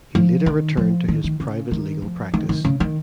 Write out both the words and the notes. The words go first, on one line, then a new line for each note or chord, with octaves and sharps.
He later returned to his private legal practice.
F3
D#3
F3
D#3
D#3
C#3
D#3
F3
D#3
D#3
C#3
D#3